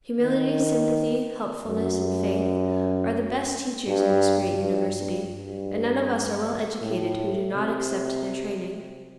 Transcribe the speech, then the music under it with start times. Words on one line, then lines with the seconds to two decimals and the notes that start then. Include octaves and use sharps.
Humility, Sympathy, Helpfulness, and Faith are the best teachers in this great university, and none of us are well educated who do not accept their training.
0.21 D#3
1.67 F#2
3.87 G2
4.60 G2
4.98 G2
5.35 G2
6.81 A2
7.55 C3